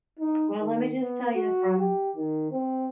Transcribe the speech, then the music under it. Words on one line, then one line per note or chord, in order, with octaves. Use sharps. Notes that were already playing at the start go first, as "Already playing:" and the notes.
Well, let me just tell you from
D#4
D#3
B3
F#4
G4
D#3
C4